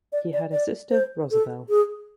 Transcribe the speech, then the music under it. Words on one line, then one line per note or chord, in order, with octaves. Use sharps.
He had a sister Rosabelle.
D5
D5
D5
C5
A4
G#4